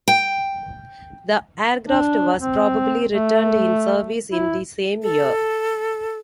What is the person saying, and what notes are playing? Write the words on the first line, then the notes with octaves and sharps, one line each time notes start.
The aircraft was probably returned in service in the same year.
G5
D4
C4
A3
E4
A4